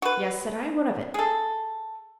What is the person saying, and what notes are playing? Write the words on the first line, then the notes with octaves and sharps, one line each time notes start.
"Yes!" said I. "What of it?"
F#4 B4
G#4 A4